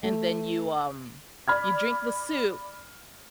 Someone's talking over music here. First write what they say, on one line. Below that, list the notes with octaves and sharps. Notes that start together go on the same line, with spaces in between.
and then you, um you drink the soup,"
A3
D5 B5 F6 G#6